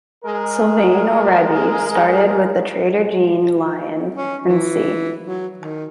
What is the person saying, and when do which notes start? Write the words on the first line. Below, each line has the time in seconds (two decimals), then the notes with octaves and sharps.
Sylvain Orebi started with the trader Jean Lion & Cie.
0.24 G#3 A#4
4.15 C#4
4.47 E3
5.24 F#3
5.58 D#3